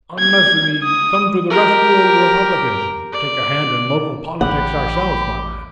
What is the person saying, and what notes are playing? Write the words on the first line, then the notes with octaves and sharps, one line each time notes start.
"Unless we come to the rescue of the Republicans and take a hand in local politics ourselves, my lad."
G#6
D#6
G4 A#4
D5
A1 G4 F#5 B5